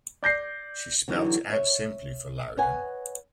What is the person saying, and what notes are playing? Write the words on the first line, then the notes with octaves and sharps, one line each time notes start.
She spelt it out simply for Louden.
D5 G6 A#6 C7
D3 E3 F#3 D4 D#4 G4
C#5 E5
B4 C#5 D#5 F#5 G#5